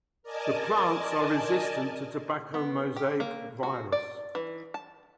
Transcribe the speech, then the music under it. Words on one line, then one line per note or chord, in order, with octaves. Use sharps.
The plants are resistant to tobacco mosaic virus.
A#4 D5 D#5 G#5 A5
B3
G4
A#3
F#4
D5
E3
A5